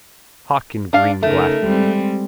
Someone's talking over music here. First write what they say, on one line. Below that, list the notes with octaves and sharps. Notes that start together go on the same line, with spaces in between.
Hock in green glasses.
D4 F5
C#3 A3 D#4 A#4
G3 G#3 C4